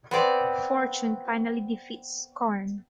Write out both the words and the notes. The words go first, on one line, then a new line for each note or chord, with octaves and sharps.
Fortune finally defeats Scarn.
B3 C4 D5